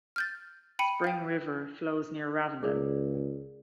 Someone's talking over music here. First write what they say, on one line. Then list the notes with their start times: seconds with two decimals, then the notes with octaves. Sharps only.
Spring River flows near Ravenden.
0.16 F6 G6 A6
0.79 G5 B5 C#7 D#7
1.04 F5 G5
2.63 C#2 G#4 A#4 D5